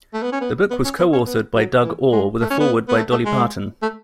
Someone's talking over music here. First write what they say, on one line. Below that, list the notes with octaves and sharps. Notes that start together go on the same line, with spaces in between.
The book was co-authored by Doug Orr with a Foreword by Dolly Parton.
A3
B3
C#4
B3
B3
C#4
B3
C#4
B3
F#3
E3
G#3
A3
C#4
B3
B3
A3
A3
G#3
A3